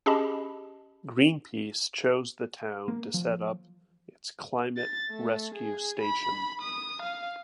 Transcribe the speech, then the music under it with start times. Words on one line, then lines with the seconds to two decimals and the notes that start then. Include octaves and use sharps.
Greenpeace chose the town to set up its Climate Rescue Station.
0.06 C#4 G4 G#4 D#5 A5 B5
2.88 A#3
3.14 F3
4.77 A6
5.11 A3
5.55 G#4
6.01 B5
6.61 D#6
7.03 F5